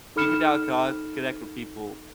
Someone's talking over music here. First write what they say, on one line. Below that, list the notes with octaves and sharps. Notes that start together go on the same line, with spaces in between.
you can now con connect with people
D#4 A4 B5 F6 C#7 E7